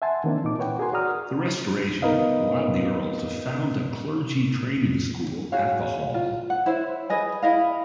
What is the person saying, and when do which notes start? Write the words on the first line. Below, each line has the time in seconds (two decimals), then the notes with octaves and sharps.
The restoration allowed the earl to found a clergy training school at the hall.
0.02 E5 F#5 G#5 A5 C6
0.24 D#3 E3 A#3 C4 D4
0.44 A#2 D#4 D6
0.58 E4 B4 C#5 F#5 G5
0.79 F#4 G#4 A#4 F#5 G#5 C6
0.93 F#4 D5 F#5 A#5 D#6 F6
2.02 B3 D#4 A#4 B4 D#5 F5
5.52 F#4 G#4 C#5 F5
6.14 F4
6.50 F#5
6.66 E4 C5 C#5 E5
7.10 G#4 B4 D#5 G#5
7.43 E4 D#5 F5